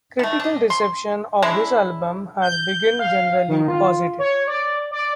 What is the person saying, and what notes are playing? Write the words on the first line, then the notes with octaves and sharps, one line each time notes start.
Critical reception of this album has been generally positive.
D#3 A3
D4 D#5
C6
G#3 C#4 D4 E4
G6
F5
D#3
F4
C#5
D5
D5